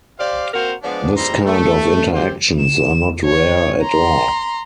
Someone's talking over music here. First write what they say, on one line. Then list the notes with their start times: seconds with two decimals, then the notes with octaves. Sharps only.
This kind of interactions are not rare at all.
0.19 G4 C5 D5 F5
0.53 A#3 C4 F#4 A#4 C5 F5
0.82 F3 G#3 B3 D4
1.16 A#2 G3 G#3 C4 A#5 C6
1.46 A3
2.14 C4 G4 C5
2.60 E7
3.25 C#5
3.84 A#5 C6